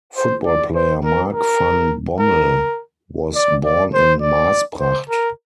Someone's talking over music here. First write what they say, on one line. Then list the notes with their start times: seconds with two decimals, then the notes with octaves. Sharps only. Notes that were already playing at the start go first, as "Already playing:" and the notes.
Football player Mark van Bommel was born in Maasbracht.
0.17 C5
0.46 D5
0.75 C5
1.04 A#4
1.33 A#4
2.20 A#4
3.35 D5
3.64 D5
3.94 C5
4.22 D5
4.80 C5
5.10 A#4